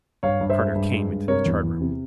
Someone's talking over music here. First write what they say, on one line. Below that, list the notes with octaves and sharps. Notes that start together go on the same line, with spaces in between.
Carter came into the chart room.
G2 C#5 F5
G2
C5 E5
G#3
G2
G#3
G2
C3 A#4 C#5
E2
E2
C3